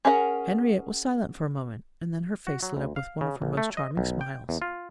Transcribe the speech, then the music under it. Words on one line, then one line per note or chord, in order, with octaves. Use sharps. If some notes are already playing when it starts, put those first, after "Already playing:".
Henriette was silent for a moment, and then her face lit up with one of her most charming smiles.
C#4 G#4 A#4 F5 F#5
F#4
F#3
D2
F5
C#3
A#1
A3
D#5
B1
G5
E2
F4